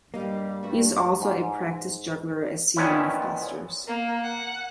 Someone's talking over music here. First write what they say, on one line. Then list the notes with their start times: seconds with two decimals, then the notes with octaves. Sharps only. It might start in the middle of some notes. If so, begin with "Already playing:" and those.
He is also a practiced juggler as seen on "MythBusters".
0.14 G2 G3 A#3 D#5 F5
0.63 G2 A3 F#4
1.22 G#2
2.76 A#2 D#3 F3 B3 C#4 E4
3.87 A#3
4.23 F#5